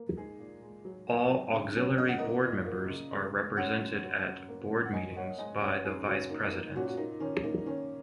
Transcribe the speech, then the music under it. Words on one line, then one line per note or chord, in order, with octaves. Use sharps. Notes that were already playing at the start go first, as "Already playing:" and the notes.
All auxiliary board members are represented at Board Meetings by the Vice President.
Already playing: A#3
G#3 D#4 G#4
A#2
G#3
F#3
A#3
F#3
C#3 D#4
F#3 C#4
C#3 D#5
F#5
A#2 A#4 D#5
A#2
A#3
C#3
G#3
G#3
F#2 C#5 F#5
F#2
F#2
F#2
A#3
F#2
F#5
F#3 D#5 G#5
A#3 C#5 F#5
G#2 D#5 G#5
F#2 C#5 F#5
F#2 D#4 G#4
C#3 C#4 F#4
A#3 D#4
A#3 D#4
A#2 C#4 F#4
F#4
A#3 D#4
D#3 C#4
A#3 D#4
D#3 C#4